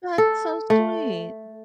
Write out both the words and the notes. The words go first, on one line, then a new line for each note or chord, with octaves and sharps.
That's so sweet.
A4
A3